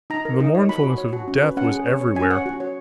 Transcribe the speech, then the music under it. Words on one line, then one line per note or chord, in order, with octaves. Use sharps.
The mournfulness of death was everywhere.
D#4 A#5
A#4
D#4
C#5
F#4 B5
F#4
C#5
F#4
C#4
B4
C#4 F#5
G#4
C#5
C#5
C#4 G#5
C#5 F#5
F#4
C#5